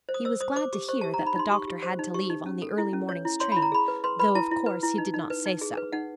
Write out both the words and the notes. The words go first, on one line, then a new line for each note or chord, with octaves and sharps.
He was glad to hear that the doctor had to leave on the early morning's train, though, of course, he did not say so.
C5
D#6
C5 E6
C5 D#6
C5 D6
G4 D6
C5 C#6
G4 A5
A#5
D#4
B5
D#4 C6
G4 C#6
G4
C5
D#4
G4 C#6
D#4
C#4
A4
E4
C#4
C#5
E4
C#5 C6
E4 B5
A#5
G#4 B5
B4
B4 C6
B4 B5
E4 A5
E4
B4
E4
D#4
D#4
B4
D#4
G#4
B4
D#4 F#5